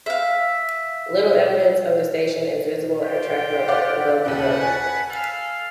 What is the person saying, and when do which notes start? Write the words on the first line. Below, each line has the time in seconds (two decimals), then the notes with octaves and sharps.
Little evidence of the station is visible at track level, above the road.
0.06 E5 F5
3.02 F4 G4 G5
3.68 D5 F5 F#5
4.26 D#2 C#3 F#5 A5 B5
4.61 G#5 C#7
5.09 A4 F5